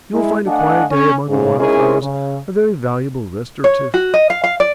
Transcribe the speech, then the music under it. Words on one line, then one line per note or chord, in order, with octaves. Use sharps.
You will find a quiet day among the wild flowers a very valuable restorative.
G#3 E4
A3 D4 D#5 F5 F#5 G#5
C#4
G#2 C#3
G#3 C#4 D#4 E4 G#4 A#4
C#3
C#5
F#4
D#5
F5
F5
D5